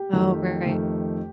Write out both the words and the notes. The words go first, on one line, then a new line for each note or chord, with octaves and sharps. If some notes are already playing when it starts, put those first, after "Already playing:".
Oh, right.
Already playing: G4
F2 D#3 A3
F2 D#3 A3